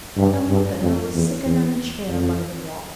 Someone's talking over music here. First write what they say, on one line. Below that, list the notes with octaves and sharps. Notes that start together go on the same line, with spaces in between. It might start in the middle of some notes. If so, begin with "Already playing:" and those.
Her mother was sitting on a chair by the wall.
G2
G2
F2
E2
E2
F2